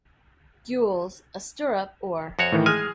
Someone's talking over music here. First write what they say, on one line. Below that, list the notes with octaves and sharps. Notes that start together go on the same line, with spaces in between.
Gules, a stirrup Or.
F2 F#4 C#5
A2 D#3 E3
G#3 G#4 G#5 F6